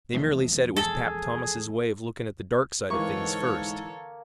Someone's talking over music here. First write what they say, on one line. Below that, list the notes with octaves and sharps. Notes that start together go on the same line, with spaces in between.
They merely said it was "Pap" Thomas' way of looking at the dark side of things first.
E1 A#1 D#2
G#4 A4
G#2 D3 E3 A#3 A4 C#5 F5 C#6